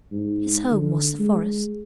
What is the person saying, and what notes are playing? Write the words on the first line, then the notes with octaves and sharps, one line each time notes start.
His home was the forest.
G#2
D3
G#3